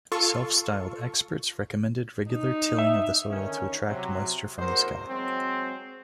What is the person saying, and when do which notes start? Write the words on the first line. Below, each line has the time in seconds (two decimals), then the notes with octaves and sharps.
Self-styled experts recommended regular tilling of the soil to "attract" moisture from the sky.
0.12 F4 A4 C#6
2.31 D#4
2.79 E5
3.30 D3 D#3 C#4
3.86 C3 F#3
4.58 A1 E2 F#4 A#4 C5
5.08 F#3 G#3 C4